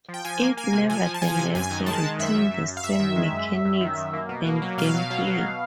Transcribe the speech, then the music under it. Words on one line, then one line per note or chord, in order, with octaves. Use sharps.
It nevertheless retained the same mechanics and gameplay.
F3
G5
F3 G#5
A#3
A#3 G#5
C3
F3 G#5
F3
A5
F3 G#5
C3
F#2 G#5
D#3
G#3 A5
D#3
F#2 E5
F#2
F#2
F#2
F5
F#2 E5
D#3
G#3
F#2
F#2
F#2
D#3
F#2
A#3
B2
A#3
F#3
B2 F5
B2
F#3
B2